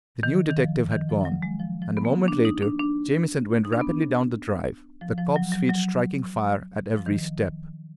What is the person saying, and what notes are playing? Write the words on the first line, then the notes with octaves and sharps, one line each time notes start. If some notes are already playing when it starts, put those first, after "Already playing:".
The new detective had gone, and a moment later Jamieson went rapidly down the drive, the cob's feet striking fire at every step.
D#3
D#3
F3
D#3
F3
F3
F#3
G#3
F3
F3
B3
A#3
D4
D#4
D4
D4
D#4
D4
B3
D4
F3
F3
F#3
F#3
F#3
F3
D#3